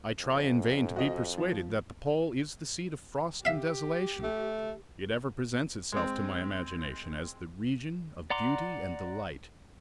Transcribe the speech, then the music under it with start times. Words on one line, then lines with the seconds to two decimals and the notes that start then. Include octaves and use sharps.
I try in vain to be persuaded that the pole is the seat of frost and desolation; it ever presents itself to my imagination as the region of beauty and delight.
0.18 F2
0.96 F#4 D#5
1.38 F3
3.45 G4 E5 F5
4.23 A3
5.92 G#3 C4
8.30 D5 F#5 A#5 C6 D6